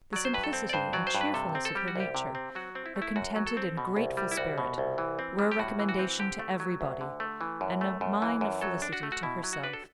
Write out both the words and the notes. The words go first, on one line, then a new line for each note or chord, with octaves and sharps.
The simplicity and cheerfulness of her nature, her contented and grateful spirit, were a recommendation to every body, and a mine of felicity to herself.
F#3 D5
C5
G2 B4
A4
C4
D5
G2 C5
F#3 D5
C5
G2
B4
C3 A4
C4
A4
G3 G4
F#4
C2 G4
C3
C4
F#3 F#4
C4
E4
A3
E4
F#2 F#4
F#3
A4
C4
B2
C2
G3
E4
C2 F#4
B2
C2
E3
C4
G3
G4
A2 F#4
E3
F#4
C4
D3 G4
A3
F#3
D2
D3
A3
E3
F#2
A3
F#2
E3
F#2
F#3 A4
D4
F#4
A3
F#4
B2 E4
F#3
F#4
D4 B4
A4